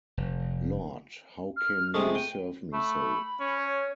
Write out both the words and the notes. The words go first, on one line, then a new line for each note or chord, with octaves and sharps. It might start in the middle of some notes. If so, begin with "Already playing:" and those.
Lord how can ye serve me so!
F1
F6
C3 G#3 A3 D#6
G5 D#7
A3 B5
C#4
C#5